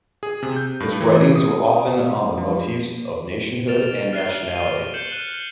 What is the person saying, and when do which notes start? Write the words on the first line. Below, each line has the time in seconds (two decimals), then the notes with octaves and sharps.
His writings were often on the motifs of nationhood and nationality.
0.23 G#4
0.43 C3
0.56 G6
0.80 G2
1.00 E3
1.35 D#6
2.38 F3
3.68 F6 A6 D7 E7 F7
4.13 F6 F#6 C7 G7
4.54 D#7 G7
4.94 G6 C#7 E7 F#7 G7
5.10 F6 F#6 D#7 G7